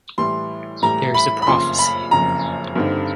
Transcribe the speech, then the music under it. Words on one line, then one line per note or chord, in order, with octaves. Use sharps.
There is a prophecy.
A2 E3 G3 C6
A2 E3 G3 A#5
B5
B5
F#1 F2 C#3 F3 C6
B5
F#1 F2 C#3 F3 A#5
G2 D3 G3 C4 D#4